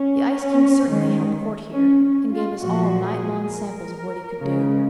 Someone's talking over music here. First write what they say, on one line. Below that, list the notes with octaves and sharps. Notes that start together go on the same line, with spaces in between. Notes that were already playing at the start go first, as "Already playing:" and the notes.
The ice king certainly held court here, and gave us all night long samples of what he could do.
Already playing: C#4
D#3 G#3
C#4
C#4
F4
A#2 F3 A#3 F#4
G#4
A#4
C#3 G#3